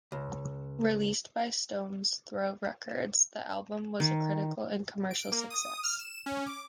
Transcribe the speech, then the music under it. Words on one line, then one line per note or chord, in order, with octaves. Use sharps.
Released by Stones Throw Records, the album was a critical and commercial success.
C#2
D#3
D7
A#3
D#6
F6
E7
C#4
D6